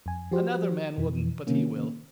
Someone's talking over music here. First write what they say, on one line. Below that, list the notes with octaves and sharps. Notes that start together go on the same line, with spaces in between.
Another man wouldn't, but he will.
F2 G#5
F3 F#4 G4 C5
F2 B2 E3
C3 D#3 A#3 C#4